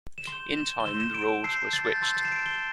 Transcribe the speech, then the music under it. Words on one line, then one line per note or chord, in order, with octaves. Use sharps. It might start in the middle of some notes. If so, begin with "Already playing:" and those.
In time, the roles were switched.
E7
C6 G6 G7
E7
G7
C6 E6 G6 E7
E7
D7
A5 E6 G6 C7
A6
G6
A5 C6 E6 G6 A6
C7
E7
D7
G7